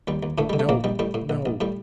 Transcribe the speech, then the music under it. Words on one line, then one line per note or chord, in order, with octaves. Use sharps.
No, no.
D#2 G3
D#2
A2 D3 A3
D3 G3
A3
A#1 A#2 A#3
A#1 G3
A2 G3
A2
A#1
A#1
A2 G3